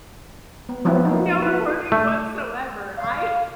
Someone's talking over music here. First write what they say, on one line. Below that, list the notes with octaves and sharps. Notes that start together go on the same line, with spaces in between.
No warning whatsoever. I
B3
F3 F#3 B3 C4 E4
A#3 D#4
E4 B4
A3
F5